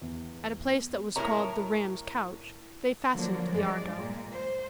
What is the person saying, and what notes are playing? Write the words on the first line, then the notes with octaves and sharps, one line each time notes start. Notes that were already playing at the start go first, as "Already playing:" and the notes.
At a place that was called "The Ram's Couch" they fastened the Argo.
E2
A2 G#3 A#4 C#5 A#5
D3 F3 F#3 A#3 D4
G2 G#3 D5
A#2
C5